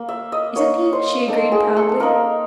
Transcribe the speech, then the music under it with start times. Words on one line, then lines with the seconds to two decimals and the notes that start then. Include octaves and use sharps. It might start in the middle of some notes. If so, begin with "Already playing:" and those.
"Isn't he?" she agreed proudly.
Already playing: A#3
0.09 E5
0.32 D#5
0.56 A#3 D#4 C#5
0.93 C5
1.28 A#3 D#4 A4
1.52 G#4
1.77 A4
2.00 A#3 D#4 A#4